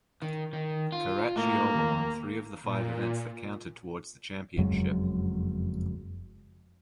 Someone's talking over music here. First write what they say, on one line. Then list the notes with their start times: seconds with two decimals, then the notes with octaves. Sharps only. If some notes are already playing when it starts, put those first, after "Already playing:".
Caracciola won three of the five events that counted towards the championship.
0.22 D#3
0.53 D#3
0.92 F4
1.36 A2 A#3
1.75 D#2
2.63 A#2
4.57 F#1 F2 F#3 G#3